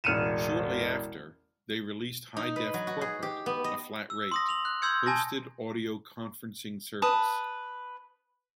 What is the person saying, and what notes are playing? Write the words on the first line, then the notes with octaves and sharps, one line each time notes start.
Shortly after, they released HiDef Corporate, a flat-rate, hosted audio conferencing service.
E1 A1 F6 C#7 D#7 E7
D#4
B4
F#3
F#4
G#4
G4
B3
D#5
E6
C6 D#6 A#6
F7 F#7
F#6
C6 E6 G6 G#6 C#7
G#5 A5 A#6
B4 A5 D#6